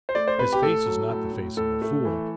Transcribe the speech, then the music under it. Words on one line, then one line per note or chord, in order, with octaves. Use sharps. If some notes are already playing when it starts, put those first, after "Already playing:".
His face is not the face of a fool.
C5
A3 D5
C5
C3 B4
G4
A2 A4
F#3
A2
A2
A2 A4
A3
E3